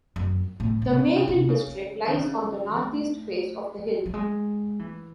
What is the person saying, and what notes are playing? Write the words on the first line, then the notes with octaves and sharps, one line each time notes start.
The Mayhill district lies on the northeast face of the hill.
F#2
A2
C3
C#3
C3
C#3
C3
C#3
D#3
C#3
A3
F#3
G#3
E3